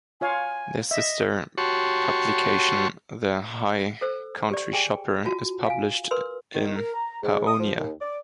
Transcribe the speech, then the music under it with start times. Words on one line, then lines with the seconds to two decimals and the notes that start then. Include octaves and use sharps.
Their sister publication, "The High Country Shopper", is published in Paonia.
0.21 F4 C#5 F5 G#5
0.91 D#5 E5
1.58 F#4 G4 C#5 A5 C6 C#6
4.01 A4 C5 E6
4.51 G4 D5
4.73 G#4 G5 G#5
5.25 F4 F#4 A5
5.66 F5 G#5
6.11 A#4 B4 C6 E6
6.54 D#3
6.76 A#4
6.93 A#5
7.23 G#2
7.47 D#6
7.60 F3
7.77 D#2
8.01 D5